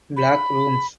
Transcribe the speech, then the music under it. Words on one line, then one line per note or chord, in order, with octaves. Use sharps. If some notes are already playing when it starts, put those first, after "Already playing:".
Black Rooms!
B5